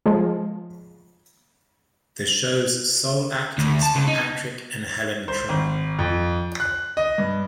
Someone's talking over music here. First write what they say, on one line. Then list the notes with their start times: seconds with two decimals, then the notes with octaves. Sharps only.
The show's sole actors were Patrick and Helen Troy.
0.06 F3 G#3
3.58 D2
3.82 A5
3.95 C#2
4.07 D#4
5.28 C5
5.49 G#1
5.99 F2
6.60 F#6
6.97 D#5
7.18 G2